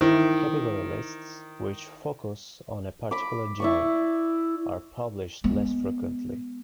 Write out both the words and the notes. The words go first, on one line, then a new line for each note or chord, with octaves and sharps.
Category lists, which focus on a particular genre, are published less frequently.
D#3 E4 C5
B5 D6
E4 D5 C#6
G#3 B3